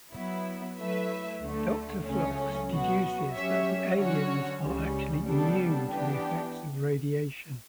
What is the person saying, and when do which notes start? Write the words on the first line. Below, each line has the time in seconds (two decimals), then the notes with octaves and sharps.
Doctor Phlox deduces that the aliens are actually immune to the effects of radiation.
0.13 F#3 B3 E4
0.78 F#3 A3 E4 B4 E5
1.42 D2 D3 A3
2.05 C#2 C#3 F#3 A3 C#4
2.69 B2 F#3 B3 F#4
3.33 F#3 C#4 G4 C#5 E5
3.97 D3 F#3 C#4 F#4 C#5
4.61 C#2 C#3 G3 C#4
5.25 C#3 G3 B3 D4 A4
5.89 E3 B3 D4 G4